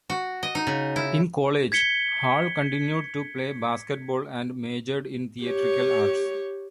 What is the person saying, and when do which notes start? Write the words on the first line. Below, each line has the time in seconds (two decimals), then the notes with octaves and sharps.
In college, Hall continued to play basketball and majored in Theatrical Arts.
0.10 F#4
0.43 D#5
0.55 D#4
0.67 C#3
0.96 E4
1.72 G#6 B6 C#7 G7
5.45 G4 C#5